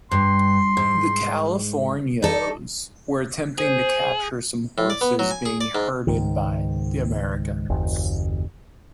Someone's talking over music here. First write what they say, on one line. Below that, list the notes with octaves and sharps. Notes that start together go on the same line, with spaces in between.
The Californios were attempting to capture some horses being herded by the Americans.
G2 C6
G#2
D#4 A4 D5
G#4 C5
A2
D5
B3
F#3
G#5
G#4
D5
G#2
C#2 G#2 D#3
F#1 D#2